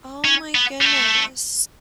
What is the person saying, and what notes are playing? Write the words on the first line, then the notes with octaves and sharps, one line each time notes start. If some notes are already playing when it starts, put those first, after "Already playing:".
Oh my goodness.
C#4
B3
G3
A3